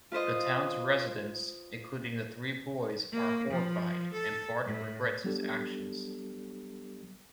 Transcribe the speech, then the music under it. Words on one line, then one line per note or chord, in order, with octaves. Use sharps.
The town's residents, including the three boys, are horrified and Bart regrets his actions.
F4 B4 C5 D#5
A#3
F3
A4
A2
F#3 G3 B3 D4 G4 A4